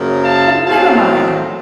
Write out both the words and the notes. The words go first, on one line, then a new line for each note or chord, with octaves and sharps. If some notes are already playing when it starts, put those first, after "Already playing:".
But never mind.
Already playing: F#2 C#3 F3 A#3
F5 A5
A2 F#3 C4 D#4 F5 A5